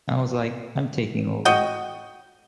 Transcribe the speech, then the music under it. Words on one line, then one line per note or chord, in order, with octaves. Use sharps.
I was like, 'I'm taking over.
F#4 D#5 G5